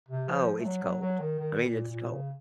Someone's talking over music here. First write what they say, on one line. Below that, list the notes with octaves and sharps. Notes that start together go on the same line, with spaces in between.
Oh, it's cold. I mean, it's cold.
C3
F3
F3
A3
F#3
F#3
F#3
D#3
D#3
A#2
A#2
C#3